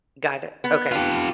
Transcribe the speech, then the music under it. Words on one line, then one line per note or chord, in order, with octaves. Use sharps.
Got it. Okay.
B3
F4 G4